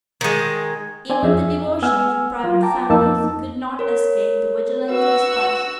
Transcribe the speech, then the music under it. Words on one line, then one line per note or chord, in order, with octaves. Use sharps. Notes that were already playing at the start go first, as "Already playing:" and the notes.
Even the devotions of private families could not escape the vigilance of his spies.
D#3 G#3
C4 D5 G#5
F2 C#4 G#4 E5
B3 F#5 G#5 E6 F6
F#3 F4
G5 A5 A#5 D6
F2 A#3 D#4 A5 E6
A#4 C#5
F#4 B4 E6